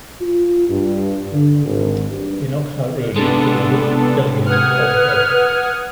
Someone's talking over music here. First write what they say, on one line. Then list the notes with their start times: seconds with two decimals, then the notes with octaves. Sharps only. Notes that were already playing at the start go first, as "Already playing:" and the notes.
He knocks out Rudy but resists killing him in cold blood.
0.21 F4
0.69 G2
1.33 D3
1.65 G#1
2.10 G2
3.16 C3 G#3 B3 D4 A4
4.47 B4 F#5 D#6 F6 G#6